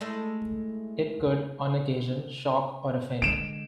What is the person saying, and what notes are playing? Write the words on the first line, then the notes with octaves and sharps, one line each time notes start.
It could, on occasion, shock or offend.
G#3 A3 E4
D3 G#3 D7 E7